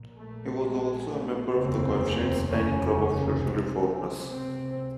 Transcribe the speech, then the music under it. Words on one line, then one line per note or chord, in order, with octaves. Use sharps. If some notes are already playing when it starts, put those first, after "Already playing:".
He was also a member of the Coefficients dining club of social reformers.
Already playing: A#1 A#2
A3
G#3
A3
F1 D#2 C#3 C4
C#4
C#4
C#2 C3 C4
C4
C4